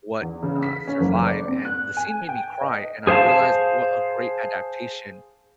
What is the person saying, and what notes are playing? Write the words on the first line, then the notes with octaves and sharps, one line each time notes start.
what, uh, survive, and the scene made me cry, and I realized what a great adaptation,
E2
C#3
B6
C#4
F#1
D5
C4
F#6
G#5
G5
D#5
G#4 C5 E5 F5 A5